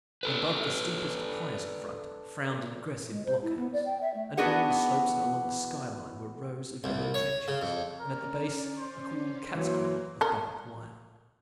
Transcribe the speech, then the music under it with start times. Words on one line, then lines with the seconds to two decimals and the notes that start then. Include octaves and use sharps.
But above the steepest, highest front frowned an aggressive block-house, and on all the slopes and along the sky-line were rows of yellow trenches, and at the base a cruel cat's cradle of barbed wire.
0.23 D4 A4 B4
3.10 G#3
3.26 C5
3.42 E4
3.57 B3
3.73 D5
3.86 G5
4.01 E5
4.14 A3
4.37 E3 B3 D4 F#4 G#4 F#5
6.84 C2
7.14 C#5
7.48 C#3
7.62 F2
8.00 C#4 A#4 D5
8.78 C5
9.55 E3 F#3 A#3
10.21 A4 A#4